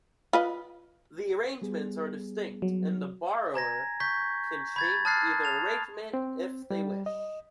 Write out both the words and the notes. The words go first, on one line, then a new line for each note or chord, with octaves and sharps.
The arrangements are distinct and the borrower can change either arrangement if they wish.
F4 B4 D#5
G3 B3 G#4
F#3
G#5 A#5 G#6 A#6
C#6 G6 B6
B5 G#6 A6
A5 D#6 F6 F#6 A6 C7
A5 F7
C4
G3
D#5